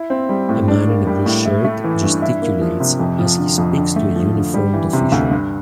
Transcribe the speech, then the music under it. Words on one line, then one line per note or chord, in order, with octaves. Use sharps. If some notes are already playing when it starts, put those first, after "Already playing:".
A man in a blue shirt gesticulates as he speaks to a uniformed official.
Already playing: E4
C4
G3
A2
D4
A#3
G3
A2
E4
A3
E3
G2
E4
A#3
F3
C3
F2
F3
D3
F2
D3
A3
F3
D3
G3
E3
C3
D2
G2